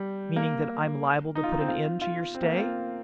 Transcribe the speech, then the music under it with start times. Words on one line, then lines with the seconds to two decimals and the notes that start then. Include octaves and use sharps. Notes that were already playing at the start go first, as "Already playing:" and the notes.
"Meaning that I'm liable to put an end to your stay?"
Already playing: G3
0.36 A#3
1.35 D#4
1.43 F4
1.52 D#4
1.60 C4
1.68 F4
2.01 F4
2.34 C4
2.43 A#3
2.51 C4
2.59 F4